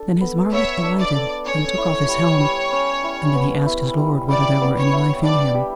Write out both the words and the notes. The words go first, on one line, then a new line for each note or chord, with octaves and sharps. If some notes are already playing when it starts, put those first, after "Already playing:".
Then his varlet alighted, and took off his helm, and then he asked his lord whether there were any life in him.
Already playing: D4 A4
B3
B3 C#5 E5
D4
D5
A4
C#4 C#5
E4
G3
G3
C#4
E4
B3
E4
G3
G3 D5
B3
C#5
E4
D4 D5
G4